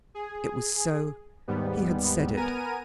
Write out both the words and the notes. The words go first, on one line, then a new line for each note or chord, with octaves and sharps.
It was so; he had said it.
G#4
D#2 G#2 G3 B3
B3 A#4 G#5 A#5 D#7